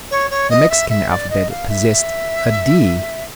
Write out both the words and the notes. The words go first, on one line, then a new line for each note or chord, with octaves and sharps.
The Mexican alphabet possessed a d.
C#5
C#5
D#5
E5
E5
D5
D#5
F5
E5